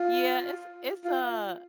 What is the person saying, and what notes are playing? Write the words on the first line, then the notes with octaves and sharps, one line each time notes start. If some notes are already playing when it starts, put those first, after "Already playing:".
Yeah, it's it's a
Already playing: F4
F4